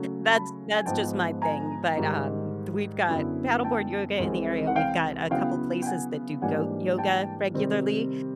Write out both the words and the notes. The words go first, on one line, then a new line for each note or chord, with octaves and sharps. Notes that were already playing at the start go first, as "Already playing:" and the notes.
that's that's just my thing, but, um, th we've got paddleboard yoga in the area, we've got a couple places that do goat yoga regularly,
Already playing: C#3 F#3 A3
A5 B5
G#5
G#2 F3 G#3 B3 G5 A5
G#5 A#5
G#2 D#3 G3
F#2 D3 F#3 B3 E4
G5 A5
C2 C3 E3 G#3 C4
F#5
F5 G5
C#3 F#3 B3 E4 F5 G5
G5
F#5 G#5
G#2 E3 G3 A#3 D4 F#5 G#5
G5 A5
C3 D#3 G3 C4